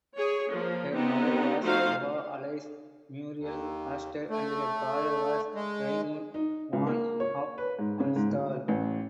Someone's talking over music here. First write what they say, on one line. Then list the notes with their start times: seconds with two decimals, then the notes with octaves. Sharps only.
Her mother was Ava Alice Muriel Astor and her father was Raimund von Hofmannsthal.
0.16 G#4 C#5
0.52 F3 A#3
0.95 B3 C4 D#4 G4
1.64 F3 A3 D#4 F#4 C5 F5
3.39 D#2
4.30 A3
5.55 G#3
6.34 D#4
6.73 C#2
6.87 A#3
7.20 C#5
7.58 B4
7.79 G#2
8.00 C#3
8.16 G#2
8.31 D2
8.68 A1